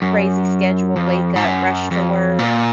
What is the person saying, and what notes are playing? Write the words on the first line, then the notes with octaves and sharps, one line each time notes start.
crazy schedule, wake up, rush to work,
F#2
F2
G#2
F#2
F2
A#2